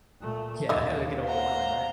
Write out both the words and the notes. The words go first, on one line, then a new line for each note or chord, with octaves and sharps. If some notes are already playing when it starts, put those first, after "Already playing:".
Yeah, it would get overwhelming, right?
A#2 A3
D#2 A#3 D#4 E5
C5 F5 F#5 A#5